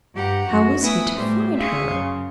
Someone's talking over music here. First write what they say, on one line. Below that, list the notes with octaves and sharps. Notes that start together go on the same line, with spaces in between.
How was he to find her?
G2 G4 F#5 A#5
F#2 F#4
A3 B3 E4 G#5 D#6 E6
A2 G3 A3 C5
G#4 E5 F5 C6 C#6 D#6
F#2 C#3